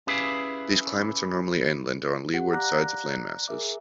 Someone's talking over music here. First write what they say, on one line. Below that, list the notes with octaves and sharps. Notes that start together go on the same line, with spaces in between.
These climates are normally inland or on leeward sides of landmasses.
C#4 E4 G4 G#4 B4 F5
G4 F#5
D5 F5 A#5 D6 F#6 A#6
G#4 A#4 E5 D6